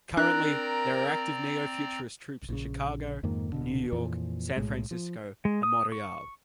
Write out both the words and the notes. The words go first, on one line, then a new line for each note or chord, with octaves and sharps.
Currently, there are active Neo-Futurist troupes in Chicago, New York, San Francisco, and Montreal.
C4 D4 A#4 D5 A#5 F#6
A#1 C#3
F2 G#2 D#3 A#3
D1 B2 D3
F2 A#2 E3 F3
B1 A2 G#3
F3
G#3
D#6
C#6